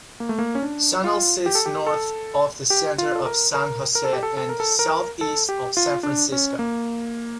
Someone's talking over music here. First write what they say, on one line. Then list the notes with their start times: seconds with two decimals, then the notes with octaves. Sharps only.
Sunol sits north of the center of San Jose and southeast of San Francisco.
0.20 A#3
0.29 A3
0.39 A#3
0.55 C#4
0.62 D4
1.04 F4
1.46 G4
1.55 A4
1.66 G4
1.87 A4
2.70 G4
2.98 F4
3.15 A4
3.26 A#4
3.54 A#4
3.95 A#4
4.05 A4
4.13 G4
4.23 A4
4.37 A4
4.49 A#4
4.60 A4
4.79 A#4
5.21 A4
5.49 G4
5.77 F4
6.03 D4
6.32 C#4
6.59 A#3